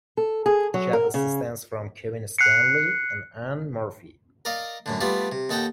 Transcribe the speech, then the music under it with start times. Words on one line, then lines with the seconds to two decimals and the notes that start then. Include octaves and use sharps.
She had assistance from Kevin Standlee and Anne Murphy.
0.17 A4
0.46 G#4
0.74 F#3
0.93 A#4
1.14 C#3
2.38 F#6 C7 C#7
4.45 A#4 D5 D#5 F5
4.86 F#2 A2 D3
5.01 G3 A3 B3 F4 G4 D5
5.32 C3
5.49 D#2 D#4 A4 F#5 G5